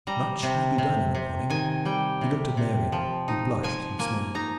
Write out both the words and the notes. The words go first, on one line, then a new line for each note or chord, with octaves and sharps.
"Much may be done in a morning." He looked at Mary, who blushed and smiled.
G3 A#5
C3
C3
C3
D#3 G#5
G3 G5
C3
C3
F3
D#4
F3 G#5
A#3 G#5
D#4 A#5